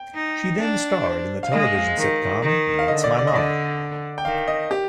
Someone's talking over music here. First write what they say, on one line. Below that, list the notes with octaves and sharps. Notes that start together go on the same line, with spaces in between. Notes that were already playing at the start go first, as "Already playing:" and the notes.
She then starred in the television sitcom "That's My Mama".
Already playing: G5
D#4
D4
C5
F5
G#3 D#5
F5
D#3
D#3
F5
D3 D#5
D5
D5
D#5
D3 D5
G5
D#3 F5
D#5
G4